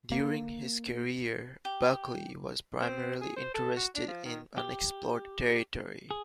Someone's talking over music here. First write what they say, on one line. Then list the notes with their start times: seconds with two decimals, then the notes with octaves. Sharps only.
During his career, Buckley was primarily interested in unexplored territory.
0.12 A#3
1.65 G4
2.81 C4
3.21 G#4
3.36 C5
3.54 A4
3.76 F#4
3.95 D4
4.08 F3
4.25 D#3
4.58 G4
6.11 G#4